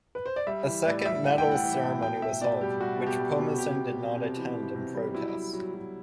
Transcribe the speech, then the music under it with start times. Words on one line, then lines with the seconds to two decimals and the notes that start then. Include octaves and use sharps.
A second medal ceremony was held, which Pomazan did not attend in protest.
0.15 B4
0.26 C5
0.36 D5
0.47 G3 E5
0.66 E3
0.86 A2 D5
1.05 G3 E5
1.24 E3 F#5
1.38 G5
1.44 A2
1.52 F#5
1.64 E3
1.83 A2
2.02 B2 G5
2.22 B2 E5
2.41 B2 D5
2.61 G3 G4
2.80 G3 F#4
3.00 B2
3.07 G4
3.19 G3
3.39 B2
3.58 C3 G4
3.78 C3
3.98 C3
4.17 C3
4.37 E3
4.56 E3
4.75 C3
4.95 G3
5.15 F#3 E4
5.34 F#3
5.54 F#3
5.74 F#3